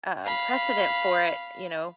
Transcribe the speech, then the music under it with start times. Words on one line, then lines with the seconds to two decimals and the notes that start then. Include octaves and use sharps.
um, precedent for it, you know,
0.25 F5 B5